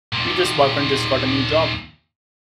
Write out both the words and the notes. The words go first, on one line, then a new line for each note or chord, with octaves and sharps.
Peter's boyfriend just got a new job.
D#2 A#2